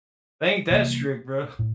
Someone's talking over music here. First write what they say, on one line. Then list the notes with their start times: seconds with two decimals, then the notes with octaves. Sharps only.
they ain't that strict, bro.
0.70 C3 E3 G3 A#3
1.59 A2